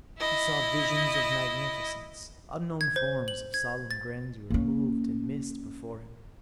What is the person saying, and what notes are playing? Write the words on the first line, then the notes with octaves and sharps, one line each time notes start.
He saw visions of magnificence; unknown forms of solemn grandeur moved in mist before him.
E4 D#5
G#6
C5
F#7
G#6
A6
A#3 C#4